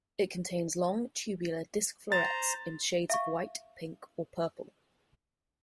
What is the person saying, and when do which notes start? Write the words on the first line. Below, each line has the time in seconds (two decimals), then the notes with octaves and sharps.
It contains long, tubular disc florets in shades of white, pink, or purple.
2.12 C5 A#5 A6
3.10 E5 F5 C#6